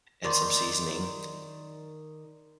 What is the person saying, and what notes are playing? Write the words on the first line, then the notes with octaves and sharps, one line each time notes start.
and some seasoning,
D#3 C5 D5